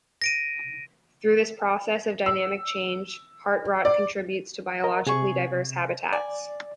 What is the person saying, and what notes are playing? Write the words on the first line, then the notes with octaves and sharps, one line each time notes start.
Through this process of dynamic change, heart rot contributes to biologically diverse habitats.
A#6 D7 D#7
E6
D5
A#4 D#5 A#5
C3 G#4 C#6
D5 G#5